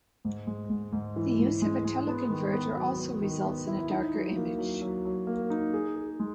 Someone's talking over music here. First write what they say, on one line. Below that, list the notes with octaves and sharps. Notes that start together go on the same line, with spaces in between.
The use of a teleconverter also results in a darker image.
G#2
G#3
G#2
G#2
E3
G#2
G#3
G#3
B3
D#3
B3
F#3
B3
D#3
B3
E4
D#4
F#3
A#3
F#3
F#3
F#3
A#3
D#4
G#4
G#4
G#3